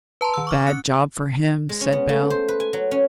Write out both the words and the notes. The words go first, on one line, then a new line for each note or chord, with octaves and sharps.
"A bad job for him," said Bell.
B4 A5 A#5 C6
D#3 E6
C#6 D6 F6
C#4 F#6 C#7
G#3
C#4
B3
A3
C5
B4
G#5
F#3
C#4